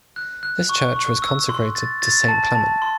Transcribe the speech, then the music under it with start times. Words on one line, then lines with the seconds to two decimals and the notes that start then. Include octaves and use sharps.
This church was consecrated to Saint Clement.
0.16 F#6
0.43 F#6
0.69 C#6
0.96 C#6
1.22 E6
1.49 C6
1.75 A6
2.02 A6
2.28 A5
2.55 A5
2.82 C6